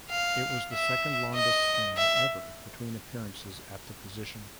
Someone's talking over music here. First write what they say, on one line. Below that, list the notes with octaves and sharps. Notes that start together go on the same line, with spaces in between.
It was the second-longest span ever between appearances at the position.
F5
E5
D#5
E5